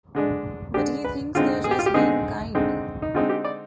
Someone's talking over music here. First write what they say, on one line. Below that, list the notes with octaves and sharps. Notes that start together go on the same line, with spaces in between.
But he thinks they are just being kind.
D3 G#3 D4
D3 G#3 D4 G4
B4
D3 G#3 C4 D#4 F4
G#4
G4
F4
G4
D3 G#3 C4 D#4 G#4
D3 G#3 C4 D#4
D#4
D3 G#3 C4 D#4 F4
G4
D5